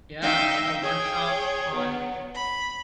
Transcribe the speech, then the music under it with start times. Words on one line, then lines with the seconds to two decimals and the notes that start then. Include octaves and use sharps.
Yeah, like a workshop on
0.22 D#4 E5 F5 G5
0.81 G#4 C#5 G5
1.74 F#3 B3
2.35 B5